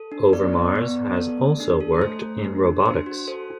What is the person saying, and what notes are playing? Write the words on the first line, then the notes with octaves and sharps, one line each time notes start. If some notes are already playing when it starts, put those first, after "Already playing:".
Overmars has also worked in robotics.
Already playing: A4
D4
B3 D5
B3
B3
B3
A4
A3
D4
A4
A3 C5
A3
D4
D4
D4 C5
F#4
A4 C5